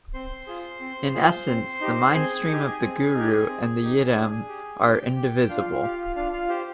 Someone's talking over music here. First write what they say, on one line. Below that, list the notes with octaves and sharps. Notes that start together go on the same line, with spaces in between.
In essence, the mindstream of the guru and the yidam are indivisible.
C4 C5 C6
F4 G#4
C4
F4 G#4
C4
D#4 G4
C4 G#4 G#5
D#4 G4
C4
D#4 G4
C4
D#4 G4
D4 G#4 G#5
G4
D4 G4 G5
G4
D4 F4 F5
G4
D4 F4 F5
F4 F5
G4 C5